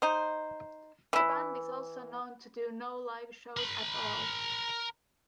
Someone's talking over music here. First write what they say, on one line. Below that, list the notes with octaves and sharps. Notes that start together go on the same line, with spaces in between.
The band is also known to do no live shows at all.
D#4 C5
E3 E4
A#4 B5